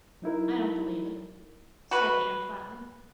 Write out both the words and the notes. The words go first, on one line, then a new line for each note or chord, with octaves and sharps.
"I don't believe it," said Anne flatly.
F#3 D#4 E4 A#4
F#4 B4